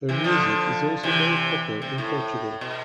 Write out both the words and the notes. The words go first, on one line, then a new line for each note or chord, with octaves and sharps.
Her music is also very popular in Portugal.
C3 E3
D3 F3
C3 E3
C3
A2
B2